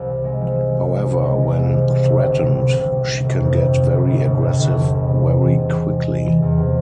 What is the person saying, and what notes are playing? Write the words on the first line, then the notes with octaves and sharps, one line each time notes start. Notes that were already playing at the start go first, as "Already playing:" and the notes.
However, when threatened she can get very aggressive very quickly.
Already playing: C2 F3
C3
G#3
F3
G#3
F3
G#3
C2
G#3
G#3
C2
F3
C3
G1
C3
C3
C3
C3
C3
C3
G1
F2
G1
G1
G1
G1
G1
G1
G1
E2
G#3
C3
G#3
E3
C3
C3
G#3
G#3
E3
E2
C3